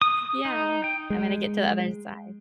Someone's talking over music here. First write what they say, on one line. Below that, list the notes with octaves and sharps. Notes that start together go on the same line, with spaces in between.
Yeah. I'm gonna get to the other side.
D#6
D#4
G5
G#3